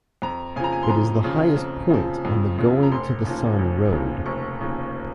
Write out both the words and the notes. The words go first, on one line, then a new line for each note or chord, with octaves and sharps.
It is the highest point on the Going-to-the-Sun Road.
F2 A#5
C#3 F3 G#5 A#5
G#5
C6
F2 A#5
C#3 F3
F2
C#3 F3
F2
C#3 F3
A#5
F1 C6
D#2 C#3 F3
F1
D#2 C#3 F3
F1 C#6
D#2 C#3 F3